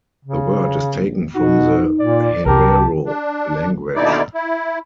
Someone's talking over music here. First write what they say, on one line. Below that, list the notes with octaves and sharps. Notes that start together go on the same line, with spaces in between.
The word is taken from the Herero language.
C#3
A#1
B2 D#4 F#4
A#2 D5
C2 C3 G4 A#4 A5
D4
D#2 B2 D3 D#4 E4 D5
E4